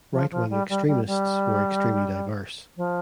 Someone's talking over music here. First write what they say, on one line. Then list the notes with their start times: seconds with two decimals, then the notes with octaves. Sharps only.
Right-wing extremists were extremely diverse.
0.12 F3
0.31 F3
0.50 G3
0.69 G3
0.87 G3
1.06 G3
2.76 F3